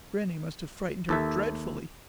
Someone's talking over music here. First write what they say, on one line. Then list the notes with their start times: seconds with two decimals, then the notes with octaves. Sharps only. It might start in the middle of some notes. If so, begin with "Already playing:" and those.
Grannie must have frightened her dreadfully.
1.09 D#2 A4 E5